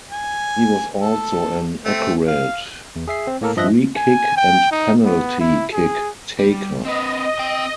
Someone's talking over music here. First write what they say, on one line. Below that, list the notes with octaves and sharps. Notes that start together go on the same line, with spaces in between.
He was also an accurate free-kick and penalty kick taker.
G#5
A4
A3 C4
F5
E2
G#4 E5 C7
C4
A2 A#3 A4 A#4
G2 F3 D#5 E5 F#6 A#6
G#5
G5
D#4
B3
E4
G#4
G3
C4 B4 D#5
C4 G5